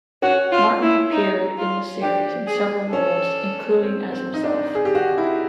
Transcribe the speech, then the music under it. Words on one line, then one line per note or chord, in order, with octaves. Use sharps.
Martin appeared in the series in several roles, including as himself.
C#4 F#4
F4
E4
D#4
F4
D4 G4
G#4
C#4 A4
C4
C4
D#4
D4
G#4
G4
F#4
E4